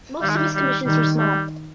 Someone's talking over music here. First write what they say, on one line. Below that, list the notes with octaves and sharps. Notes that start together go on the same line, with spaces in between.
Most of his commissions were small.
D#3 G3
G#3
G3
G3
D#3 G3
G3